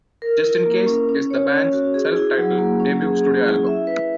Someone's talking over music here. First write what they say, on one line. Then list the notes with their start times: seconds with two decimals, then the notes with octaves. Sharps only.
"Justincase" is the band's self-titled debut studio album.
0.22 A#4
0.44 E4
0.66 A#3
0.87 C#4
1.09 C#4
1.30 C#5
1.52 C#4
1.73 F#4
1.94 G#4
2.16 E4
2.38 F#3
2.59 A#3
2.80 C#4
3.02 G#4
3.24 C#4
3.45 E4
3.67 E5
3.87 B4